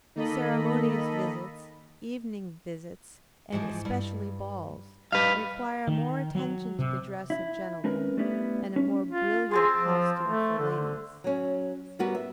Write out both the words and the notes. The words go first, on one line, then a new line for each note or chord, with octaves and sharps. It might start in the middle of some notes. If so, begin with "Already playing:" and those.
Ceremonious visits, evening visits, and especially balls, require more attention to the dress of gentlemen, and a more brilliant costume for ladies.
D#3 A#3 A4 D#5 B5
G#2 E3 F3
G2
G3 D#4 B4 F5
D#3
F#3
C3
E4
G#3 C4 C#4 A#4 B4
G3 A3 B3 D4 E4 G4
C#4
F4
C4 G#4 A5 C6
F3
A3
D3
F#3 C#4
G3 B3 F#4 A#4 B4
E5